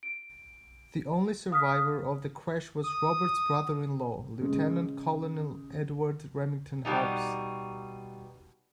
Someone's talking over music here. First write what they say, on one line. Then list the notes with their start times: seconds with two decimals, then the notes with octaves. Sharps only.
The only survivor of the crash was Roberts' brother-in-law, Lieutenant Colonel Edward Remington-Hobbs.
0.03 D7
1.51 F5 D#6 F6 B6
2.84 D#6
4.41 C#3 G#3 C#4
6.85 B2 G3 D#4